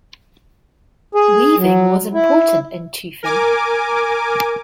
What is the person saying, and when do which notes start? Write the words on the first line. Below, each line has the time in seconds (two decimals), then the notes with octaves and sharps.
Weaving was important in Teufen.
1.15 G#4
1.57 F#3
2.14 E4
3.23 A#4 G#5 D6